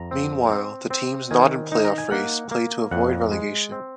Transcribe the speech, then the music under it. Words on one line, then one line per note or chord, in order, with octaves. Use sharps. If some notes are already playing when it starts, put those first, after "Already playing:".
Meanwhile, the teams not in playoff race play to avoid relegation.
Already playing: F2 A#5
C4
C4
C4
D#3 G#5
D#4
A#5
G#5
A#3 F#5
A#3
F2 F#5
G#3
C4